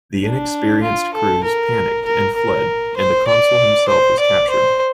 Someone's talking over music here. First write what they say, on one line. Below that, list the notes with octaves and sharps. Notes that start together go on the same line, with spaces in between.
The inexperienced crews panicked and fled and the consul himself was captured.
D4
F4
A4
A#4
A#4
A#4
C5
D5
C5
D5
C5